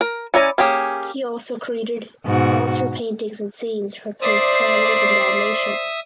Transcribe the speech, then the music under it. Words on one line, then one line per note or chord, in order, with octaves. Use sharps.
He also created altar paintings and scenes from his travels in Dalmatia.
A#4
C#4 E4 D5 G#5 A#5
A#3 C#4 G4 G#4
G#2 B2 F#4
C5 D5 E5 D#6 C7